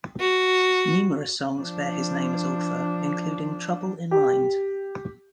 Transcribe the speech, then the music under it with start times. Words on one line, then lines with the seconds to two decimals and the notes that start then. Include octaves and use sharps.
Numerous songs bear his name as author, including "Trouble in Mind".
0.20 F#4
1.57 F3 D4
4.11 G4